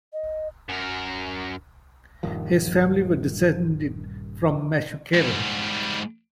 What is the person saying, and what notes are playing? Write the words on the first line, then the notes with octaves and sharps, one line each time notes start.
His family were descended from meshuchrarim.
D#5
F#2 A#4
D#1 G2 D#3 F3
G#2 G3